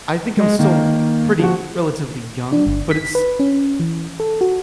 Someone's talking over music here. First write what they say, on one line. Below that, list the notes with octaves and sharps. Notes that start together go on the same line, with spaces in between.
I think I'm still pretty relatively young, but it's
G#3
D#3 A#3
F3 F#4
D4
G1
B6
B4
C#4
E3
A4
F#4